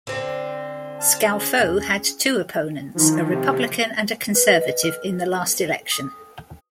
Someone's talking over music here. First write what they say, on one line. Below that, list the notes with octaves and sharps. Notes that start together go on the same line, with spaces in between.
Skowfoe had two opponents, a Republican and a Conservative, in the last election.
D3 C4
A5 F6
C#4 G#4
D#3 F3 D#4
C3 F3 G4
B4
D#5
F6
D#6